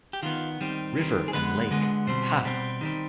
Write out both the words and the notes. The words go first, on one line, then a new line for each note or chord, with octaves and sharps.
River and Lake Ha!
G4
D#3 B3 F4
D#3 G3 C4
D#3 G3 C4
G#4
D3 G#3 B3 B4
D3 G#3 B3
B2 G3 C4 C5
B2 G3 C4
D#3 G3 C4